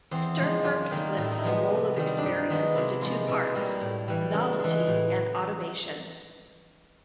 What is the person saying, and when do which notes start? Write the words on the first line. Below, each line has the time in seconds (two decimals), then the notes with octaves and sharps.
Sternberg splits the role of experience into two parts: novelty and automation.
0.11 E2 C4
0.38 C#3 F3 G#3 F4
0.64 F#2 F4
0.91 D#3 G3 A#3
1.17 A2 F4
1.24 E4
1.31 D#4
1.38 E4
1.44 F3 G#3 B3
1.70 C3
1.96 D#3 G3
2.18 G2 D4 D#4
2.49 D#3 G#3 B3
2.75 C3 E4
3.02 F3 G#3 F4
3.28 B2 E4
3.55 G3 A#3
3.81 A2
4.08 E3 G3
4.34 C#3 A4
4.60 E3 G#3
4.87 A2